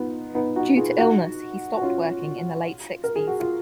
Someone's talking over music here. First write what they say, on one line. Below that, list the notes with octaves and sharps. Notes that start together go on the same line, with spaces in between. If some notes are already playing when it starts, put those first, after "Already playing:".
Due to illness, he stopped working in the late sixties.
Already playing: B3 D#4 F4
B3 D#4
D#4 F#4
F4 G#4
D#4 F#4
F#4
C#4 F4
A#4
G#4
F#4
F4